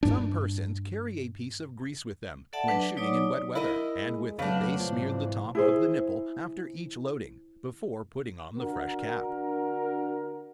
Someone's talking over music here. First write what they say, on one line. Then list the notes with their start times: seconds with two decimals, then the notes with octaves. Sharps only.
Some persons carry a piece of grease with them, when shooting in wet weather, and with it they smear the top of the nipple after each loading, before putting on the fresh cap.
0.03 G2 D4
2.53 A4 D5 E5 F#5 A5
2.68 F#3 D4 B4
2.97 F#3 D#4 C#5 D5 D6 D#6
3.55 E4 A#4 D#5
4.01 G#3
4.39 F2 C#3 F#3 A3 B3 D4
4.78 G#2 C3 E3 F3
5.55 E4 G#4 C5
8.56 D3 D4 F#4 A#4